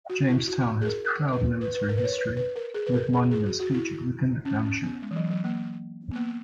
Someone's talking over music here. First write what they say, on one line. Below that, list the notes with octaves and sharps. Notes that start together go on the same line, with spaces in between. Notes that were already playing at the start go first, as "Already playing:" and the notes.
Jamestown has proud military history, with monuments featured within the township.
F#4
E4
F#4
G#4
A#4
A#4
B4
B4
B4
A#4
B4
C#5
B4
B4
A#4
G#4
B4
A#4
G#4
G#4
F#4
F#4
E4
C#4
C#4
B3
G#3
E3
F#3
F#3
A#3
B3
A#3